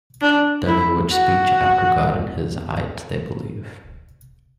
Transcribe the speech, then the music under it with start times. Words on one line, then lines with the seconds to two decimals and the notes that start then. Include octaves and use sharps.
Then in which speech after God and His Ayat will they believe?
0.22 D4
0.67 E4
1.11 F#4